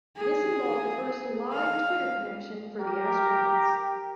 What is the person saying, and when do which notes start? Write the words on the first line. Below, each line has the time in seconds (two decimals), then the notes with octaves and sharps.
This involved the first "live" Twitter connection for the astronauts.
0.17 G#4
1.53 F5
2.80 G4 A#4